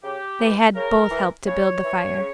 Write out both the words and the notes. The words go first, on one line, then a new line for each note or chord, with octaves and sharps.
They had both helped to build the fire.
C#3 G4
E3
C#3 A#4
E3
C#3 C#5
E3
C#3